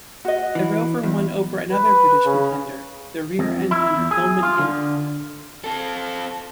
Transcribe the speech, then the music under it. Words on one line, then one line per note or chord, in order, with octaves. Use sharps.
The Rover won over another British contender, the rear-engine Hillman Imp.
F#4 D#5
E3
E2
B4
C#3
F2
E4
E2
G#4
F4
D3
C4 A4